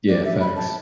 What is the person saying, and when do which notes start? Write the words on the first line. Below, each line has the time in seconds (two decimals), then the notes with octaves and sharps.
Yeah, facts.
0.08 D5
0.25 E5
0.41 B5
0.56 A5